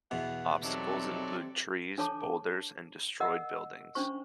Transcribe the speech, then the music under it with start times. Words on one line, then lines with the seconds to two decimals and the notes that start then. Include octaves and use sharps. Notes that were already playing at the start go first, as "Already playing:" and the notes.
Obstacles include trees, boulders and destroyed buildings.
0.11 E2 B2 F#5
0.63 C3 F#3 D#4 A4 D5
1.98 D4 A4 C#5 A5 D6
3.20 A#4 D#5 F#5 E6
3.95 C#4 D4 C5 C#6